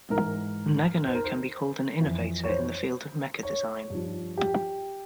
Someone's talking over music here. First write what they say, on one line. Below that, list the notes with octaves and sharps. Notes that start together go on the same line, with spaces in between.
Nagano can be called an innovator in the field of mecha design.
G#2 E3 A#4
C5
A#4
C5
F2 E3
C#5
C5
C#5
G2 F3
G4